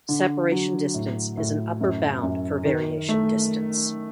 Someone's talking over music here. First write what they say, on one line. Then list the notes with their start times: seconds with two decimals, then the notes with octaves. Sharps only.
Separation distance is an upper bound for variation distance.
0.09 D3
0.52 F#3
0.94 A2
1.37 A2
1.81 F#2
2.23 F#2
2.65 D#3
3.09 A3